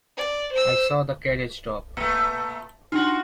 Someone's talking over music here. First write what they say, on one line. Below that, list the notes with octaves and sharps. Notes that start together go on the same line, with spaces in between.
I saw the carriage stop.
D5
C5 E6
A#2 A3
D4 D#4 F4 F#4